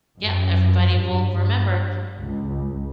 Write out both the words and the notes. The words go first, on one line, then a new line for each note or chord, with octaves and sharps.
Yep, everybody will remember
F#2
G2
C#2